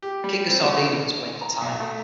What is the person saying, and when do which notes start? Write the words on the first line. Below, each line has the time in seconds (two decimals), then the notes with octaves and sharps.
The King of Sardinia was playing for time.
0.02 G4
0.24 G3
0.49 C4
0.63 C#3
0.91 E3
1.41 A#5
1.62 B1
1.80 A3